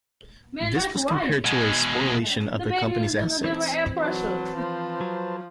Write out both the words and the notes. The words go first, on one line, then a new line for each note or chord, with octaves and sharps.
This was compared to a spoliation of the company's assets.
B2 G#3
E3 C4
F#3 B4 C5 A5
F3
F#3